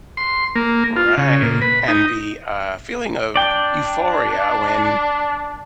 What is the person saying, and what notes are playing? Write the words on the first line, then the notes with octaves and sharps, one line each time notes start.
Right, and the, uh, feeling of euphoria when
C6
A#3
F4
C#3
A#2
B4
D#4
D4 D5 G5